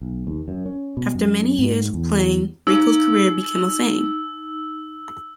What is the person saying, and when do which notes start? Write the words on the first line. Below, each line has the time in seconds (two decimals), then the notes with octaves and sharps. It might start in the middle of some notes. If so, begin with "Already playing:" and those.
After many years of playing Rico's career became a fame!
0.02 B1
0.27 D#2
0.48 F#2
0.66 C#4
0.97 B2
1.15 F#2
1.59 G#2
1.94 E2
2.67 D#4 E6